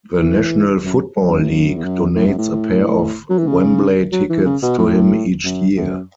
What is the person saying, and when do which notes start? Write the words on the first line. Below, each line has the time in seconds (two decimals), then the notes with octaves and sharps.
The National Football League donates a pair of Wembley tickets to him each year.
0.20 E3
0.85 F#2
1.29 F#2
1.41 A2
1.50 F#2
1.76 E2
1.84 F#2
2.16 A2
2.27 F#2
2.38 A2
3.30 F#3
3.38 E3
3.47 C#3
4.12 F#3
4.30 E3
4.45 C#3
4.62 B2
4.78 A2
5.44 F#2
5.76 F#2